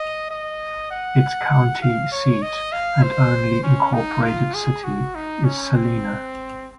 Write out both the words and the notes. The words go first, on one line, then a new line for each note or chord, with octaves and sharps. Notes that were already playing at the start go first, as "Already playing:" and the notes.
Its county seat and only incorporated city is Celina.
Already playing: D#5
D#5
F#5
F5
C#5
D#5
F5
C5
C#4
D#4
F4
G#4
F#4
D#4
C#4
C4